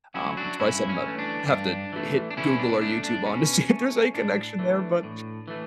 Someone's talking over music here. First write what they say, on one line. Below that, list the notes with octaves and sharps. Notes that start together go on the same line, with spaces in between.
Um, it's probably something about have to hit Google or YouTube on to see if there's any connection there, but
F#3 A3 C#4 E4
D4 F#4
G2 C#4 E4
C#4
E3 A3
D4
G2 D4
E3 A3
D4
B2 C#4 E4
D4
A3 D4
D4
B2 C#4
A3
A2 D4
E3 A3
A2
E3 A3